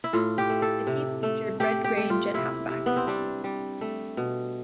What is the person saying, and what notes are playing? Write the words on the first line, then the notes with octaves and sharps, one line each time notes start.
The team featured Red Grange at halfback.
E4
A2 F4
G4
A3
A4
C3
A3
A3 G4
G4
A3
F4
C3 E4
C3
B3
C4
G3 D4
G3
A3
B2